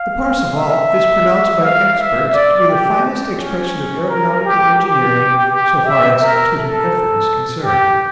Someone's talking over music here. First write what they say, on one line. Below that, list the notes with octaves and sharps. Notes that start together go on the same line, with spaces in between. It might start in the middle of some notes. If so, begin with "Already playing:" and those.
The Parseval is pronounced by experts to be the finest expression of aeronautical engineering so far as Teuton effort is concerned.
Already playing: F5
E5
F5
E5
D5
G4
C#4
A#4
G4
G4
G4
E5
A#4
A4
G4